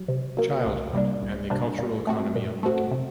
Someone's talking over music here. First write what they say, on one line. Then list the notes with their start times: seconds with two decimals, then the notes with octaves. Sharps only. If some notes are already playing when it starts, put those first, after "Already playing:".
Childhood and the cultural economy of looking.
Already playing: F#3
0.08 C3
0.37 F#3 A#3
0.66 C2
0.93 C3 G3 A#3 D4
1.22 C2
1.50 C3 G3 A#3 D4
1.79 A#2
2.07 A3 C4 F#4
2.35 A#2
2.63 A3 C4 F#4
2.91 C3